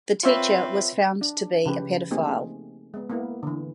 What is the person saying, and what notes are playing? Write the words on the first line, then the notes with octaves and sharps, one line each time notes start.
The teacher was found to be a paedophile.
C4 F4 B4 C#5 E5
D4
C#3 F3 G4 B4
A3 A#3 C4 D#4 G4 G#4
G#3 B3
A#3 B3 E4
D3 E3